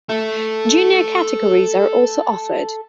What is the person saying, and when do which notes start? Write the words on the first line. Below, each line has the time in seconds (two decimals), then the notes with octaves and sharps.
Junior categories are also offered.
0.09 A4 E5